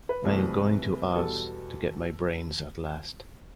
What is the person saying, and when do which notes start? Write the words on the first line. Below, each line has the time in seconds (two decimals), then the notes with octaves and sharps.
I am going to Oz to get my brains at last.
0.09 B4
0.25 C2 C3 E3 A3
1.15 E2 B2 G3 A4